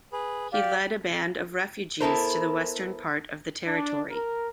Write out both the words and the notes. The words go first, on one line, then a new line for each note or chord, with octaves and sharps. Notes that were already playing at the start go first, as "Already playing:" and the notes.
He led a band of refugees to the western part of the territory.
G#4 B4
G4 D5 F5
B3 E4 A4 A#4 C5
D4
A#4